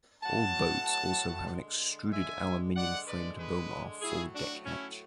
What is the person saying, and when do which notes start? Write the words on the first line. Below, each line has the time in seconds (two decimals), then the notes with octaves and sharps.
All boats also have an extruded aluminum framed Bomar forward deck hatch.
0.23 A2 F#3 A3 F#5 A5
1.49 D3 G#3
2.12 E5 G#5
2.76 D3 G#3 D5 F#5
3.07 B4 D5
3.38 G#4 B4
4.02 A2 F#3 A3 E4 G#4
4.34 D4 F#4
4.65 C#4 E4